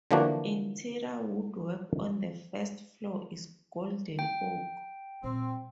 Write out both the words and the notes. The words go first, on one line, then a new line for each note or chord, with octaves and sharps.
Interior woodwork on the first floor is golden oak.
D3 E3 F3 A#3 D4 F#4
G5
A#2 G3 C4